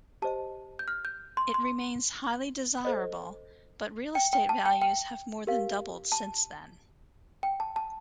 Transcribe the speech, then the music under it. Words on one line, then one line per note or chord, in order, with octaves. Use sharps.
It remains highly desirable but real estate values have more than doubled since then.
G4 C5 D#5 A5
G6
F6
G6
C6
C6
A4 C5 D#5
G5
G5
A5
G5
G5
G4 A#4 F5
A5
G5
A5
A5